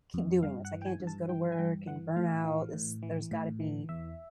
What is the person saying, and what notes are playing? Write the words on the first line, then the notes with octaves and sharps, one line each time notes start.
keep doing this. I can't just go to work, and burn out, this there's gotta be
F2
G2 F5
F#5
E3
G5
G#5
G2
A5
E3 G5
G#5
G2 G5
E3 F#5
A2 F5
E3
A2
E3
A2
E3
E2 E5